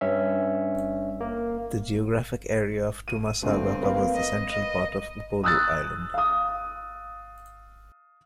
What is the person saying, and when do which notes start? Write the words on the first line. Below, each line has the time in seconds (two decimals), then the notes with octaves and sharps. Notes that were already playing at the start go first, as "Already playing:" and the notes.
The geographic area of Tuamasaga covers the central part of Upolu island.
0.01 G2 C#4 E5
1.21 A#3
3.08 D#7
3.43 G1 A2 D3 C4
3.81 A#3 B4 F5
4.15 D#5
4.48 D#5
5.44 D#6 E6 F#6 A6
6.14 F5 D#6